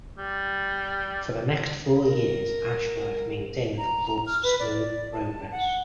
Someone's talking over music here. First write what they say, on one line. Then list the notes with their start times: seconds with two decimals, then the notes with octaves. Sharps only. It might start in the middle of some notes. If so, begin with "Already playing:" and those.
For the next four years Ashworth maintained the club's smooth progress.
0.18 G3
2.04 A#4
3.78 A#5
4.26 F6
4.43 B4
4.60 D5
5.13 A5
5.52 F#5